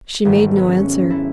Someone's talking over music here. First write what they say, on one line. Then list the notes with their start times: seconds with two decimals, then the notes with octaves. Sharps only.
She made no answer.
0.25 G#1 G#2 F#3 A3 B3
0.57 B3
0.68 C#4
1.10 E4